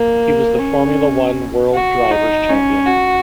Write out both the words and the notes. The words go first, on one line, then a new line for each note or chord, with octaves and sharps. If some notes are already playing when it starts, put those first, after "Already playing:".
He was the Formula One World Drivers' Champion.
Already playing: A#3
C#4
F#4
D#4
C#4
F#4